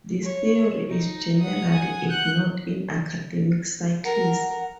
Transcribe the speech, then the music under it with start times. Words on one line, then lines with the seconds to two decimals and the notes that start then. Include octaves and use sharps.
This theory is generally ignored in academic circles.
0.23 C#5
0.89 D#4
1.40 F#5 D#6
1.73 G#5
2.10 F#5 F#6 G6
4.04 A#4 F#5